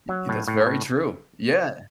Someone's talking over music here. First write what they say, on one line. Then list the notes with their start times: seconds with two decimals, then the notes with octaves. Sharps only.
Y y that's very true, yeah.
0.09 F#3
0.29 A2
0.48 A2
0.66 A2